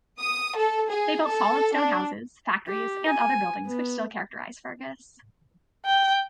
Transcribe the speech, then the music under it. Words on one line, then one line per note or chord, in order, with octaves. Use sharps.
They built solid stone houses, factories and other buildings which still characterize Fergus.
D#6
A4
G#4
A4
D4
G4
G#5
B3
G5